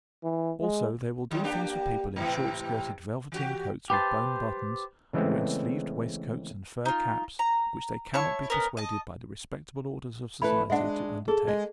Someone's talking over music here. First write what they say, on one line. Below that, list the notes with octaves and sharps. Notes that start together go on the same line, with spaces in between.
Also, they will do things for people in short-skirted velveteen coats with bone buttons, or in sleeved waistcoats and fur caps, which they cannot be persuaded by the respectable orders of society to undertake.
E3
G#3
D#3 F#3 G#3
A#3 D4 G4
G#2 C3 E3
E3 F#4 G4
G4 B4 C5 A5
C#3 E3 G#3 A3 B3 C4
D#4 F4
A#5
E4 C#5 A5 C#6
B3 C#4 A#4
D#5 A5
E3 A3 B4 B5
G#3 D4 E5 F#5
G#4 A4
G#3